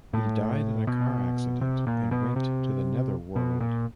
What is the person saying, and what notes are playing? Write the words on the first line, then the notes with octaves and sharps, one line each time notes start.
He died in a car accident and went to the netherworld.
A2
B2
C3
A#2
B2
C3
B2
A#2